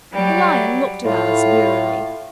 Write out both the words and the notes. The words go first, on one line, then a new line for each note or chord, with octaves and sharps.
The Lion looked at Alice wearily.
F#3 G3
A2 F4